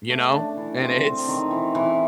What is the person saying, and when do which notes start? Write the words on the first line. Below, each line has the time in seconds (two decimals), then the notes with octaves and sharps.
you know? And it's
0.10 A3
0.33 D4
0.57 E3
0.80 C4
1.04 C4
1.28 D#3
1.51 E3
1.75 E3